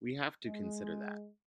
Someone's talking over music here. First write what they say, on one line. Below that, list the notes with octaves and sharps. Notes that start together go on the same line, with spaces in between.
We have to consider that.
G#3